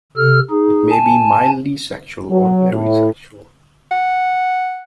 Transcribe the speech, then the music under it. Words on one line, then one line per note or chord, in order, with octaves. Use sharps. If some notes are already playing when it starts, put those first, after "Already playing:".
It may be mildly sexual, or very sexual.
C3 A4 F6
D#4 G#4
G#5 A5
F#3
A2
F#5